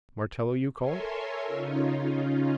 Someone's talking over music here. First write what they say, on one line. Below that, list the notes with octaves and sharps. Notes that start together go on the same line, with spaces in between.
Martello you call it?
A4 A#4 C#5 E5 G#5 C6
C#3 C#4 D#4 F4